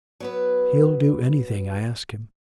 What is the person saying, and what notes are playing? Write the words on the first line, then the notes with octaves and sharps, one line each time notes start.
He'll do anything I ask him.'
F#3 B3 B4